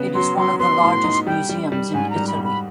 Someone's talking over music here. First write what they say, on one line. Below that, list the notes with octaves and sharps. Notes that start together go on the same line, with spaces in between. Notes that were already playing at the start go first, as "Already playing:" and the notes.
It is one of the largest museums in Italy.
Already playing: C#3 B3
F#3 C6
F#3 C6
B3 C6
A2
D#4
G3 G5
G3
G3
G#2 G#5
A#5
G3
B5
G3
B5